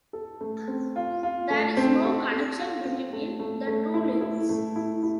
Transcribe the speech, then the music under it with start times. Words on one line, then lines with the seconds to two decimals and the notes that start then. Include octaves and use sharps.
There is no connection between the two labels.
0.13 A4
0.41 A3
0.68 C4
0.96 F4
1.23 F4
1.50 A3
1.77 C4
2.05 A4
2.32 A4
2.59 F4
2.85 C4
3.13 A3
3.39 A3
3.67 A3
3.94 E4
4.21 E4
4.49 A3
4.76 E4
5.03 E4